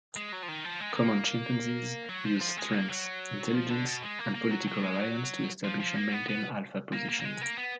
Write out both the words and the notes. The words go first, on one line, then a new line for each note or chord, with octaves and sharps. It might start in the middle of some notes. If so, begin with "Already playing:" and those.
Common chimpanzees use strength, intelligence, and political alliances to establish and maintain alpha position.
G#3
F#3
F3
D#3
F3
G#3
B3
A#3
F#3
F3
F3
G#3
A#3
F#3
F3
D3
B2
G#3
A#3
A#3
F#3
F#3
G#3
F#3
F3
F3
A#3
B3
B3
A#3
A#3
A#3
G#3
A#3
B3